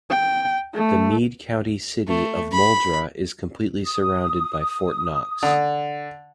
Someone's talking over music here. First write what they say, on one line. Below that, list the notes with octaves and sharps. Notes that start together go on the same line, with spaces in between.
The Meade County city of Muldraugh is completely surrounded by Fort Knox.
G5
A3
A3
B5
D#6
D3